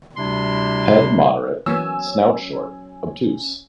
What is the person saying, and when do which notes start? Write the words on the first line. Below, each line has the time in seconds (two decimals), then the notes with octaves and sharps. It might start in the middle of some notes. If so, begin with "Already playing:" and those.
Head moderate; snout short, obtuse.
0.17 D2 C3 G3 D4 E4 C6
1.66 E3 F#3 A#3 B3 C#4 G#5 E6